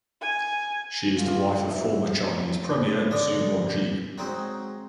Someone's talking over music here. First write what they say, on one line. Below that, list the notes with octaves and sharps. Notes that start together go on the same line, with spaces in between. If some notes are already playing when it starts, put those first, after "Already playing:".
She is the wife of former Chinese Premier Zhu Rongji.
G#5
D3 E3 F4
E3 C4 D#4 E4 F#4
D3 D4 D#5
F#3 G#3 C4 D#4